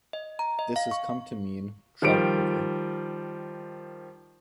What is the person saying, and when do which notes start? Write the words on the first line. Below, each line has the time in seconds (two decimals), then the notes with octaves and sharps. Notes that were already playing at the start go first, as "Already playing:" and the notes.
This has come to mean "trout river".
0.13 D#5
0.39 A#5
0.59 D#5
0.76 F5
0.91 C#6
2.02 D#3 F3 G3 D7